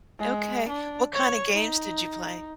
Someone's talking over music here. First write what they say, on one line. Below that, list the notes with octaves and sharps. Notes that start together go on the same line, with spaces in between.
Okay. What kinda games did you play?
G#3
D4
C#5
D#4